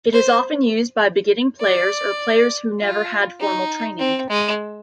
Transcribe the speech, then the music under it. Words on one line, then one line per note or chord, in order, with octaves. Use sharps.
It is often used by beginning players, or players who never had formal training.
C5
D5
F4
D#4
C4
G#3